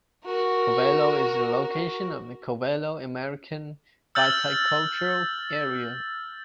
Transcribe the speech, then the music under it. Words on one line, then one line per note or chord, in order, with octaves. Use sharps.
Covelo is the location of the Covelo American Viticultural Area.
F#4 A#4
E6 F6 G6 A6 F#7